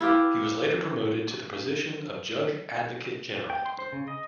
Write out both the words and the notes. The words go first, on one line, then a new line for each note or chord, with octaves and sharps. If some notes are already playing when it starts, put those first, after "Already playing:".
He was later promoted to the position of judge advocate general.
E4 F4 G4 B4
G5
C6
C5
C#3
D#5